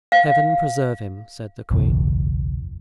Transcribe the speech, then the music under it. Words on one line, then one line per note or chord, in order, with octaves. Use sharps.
"Heaven preserve him!" said the queen.
F5
F#1 B1 E2